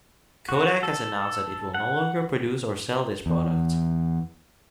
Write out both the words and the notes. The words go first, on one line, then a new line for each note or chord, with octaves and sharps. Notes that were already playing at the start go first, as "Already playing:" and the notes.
Kodak has announced that it will no longer produce or sell this product.
F#4
A4
F#5
E2